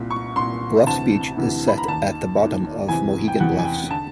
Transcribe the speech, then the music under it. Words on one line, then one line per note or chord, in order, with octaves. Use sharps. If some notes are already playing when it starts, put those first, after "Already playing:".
Bluffs Beach is set at the bottom of Mohegan Bluffs.
Already playing: C2 A#2
C#6
C2 A#2 C6
D2 C3 E3 A5
D2 C3 E3
B5
A#5
D#2 D#3 A5
D#2 D#3
E2 C3 E3 G#5
G5
E2 C3 E3 F#5
G#5
G5
D3 A5